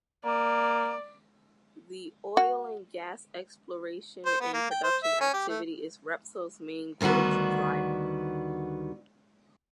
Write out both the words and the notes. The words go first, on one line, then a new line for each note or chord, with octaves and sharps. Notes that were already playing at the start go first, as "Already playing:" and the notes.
The oil and gas exploration and production activity is Repsol's main growth driver.
A#3 D5
F#4
C5
B3
A#3
G5
C5
E5
C#4
G4
A3
D2 D#3 G3 B3 F#4